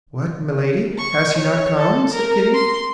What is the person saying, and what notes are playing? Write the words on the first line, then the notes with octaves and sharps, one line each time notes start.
"What, Milady! has he not come?" said Kitty.
C#6
C#5
A4
A#4
C6